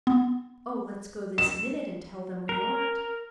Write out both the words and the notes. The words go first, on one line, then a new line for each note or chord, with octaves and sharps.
Oh, let's go this minute and tell them we aren't.'
B3
E7
A#4